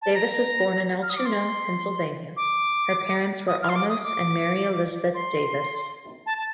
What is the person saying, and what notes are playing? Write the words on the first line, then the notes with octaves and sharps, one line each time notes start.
Davis was born in Altoona, Pennsylvania; her parents were Amos and Mary Elizabeth Davis.
A5
A#5
F6
D#6
D6
C6
D6
D#6
F6
C6
D6
D#6
D6
C6
A5
A5